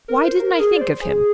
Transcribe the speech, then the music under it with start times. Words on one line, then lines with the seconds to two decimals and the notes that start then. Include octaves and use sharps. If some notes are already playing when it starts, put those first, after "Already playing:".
Why didn't I think of him?
0.08 A#4
0.24 C5
0.40 A#4
0.54 A#4
0.60 G#4
0.76 D5
0.81 C5
1.01 G#4